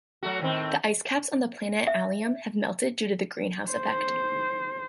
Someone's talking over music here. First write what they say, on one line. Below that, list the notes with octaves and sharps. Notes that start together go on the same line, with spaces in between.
The ice caps on the planet Allium have melted due to the greenhouse effect.
F#3 A3 F#4
A2 D#3 C4
E5
C5